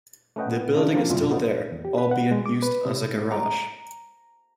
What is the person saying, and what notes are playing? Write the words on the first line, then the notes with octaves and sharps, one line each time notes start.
The building is still there, albeit used as a garage.
A3 C#4 B4 D#5 F#5 G5
B3
C#3 D4 F4
F3 A#3 C4 F4
G1 C2 F#2 A#2 E4 F4
A#2 F#3 A#3 B3 D#4
E2
G4
B4
F#5
G#3
D6
B4
C3
A#5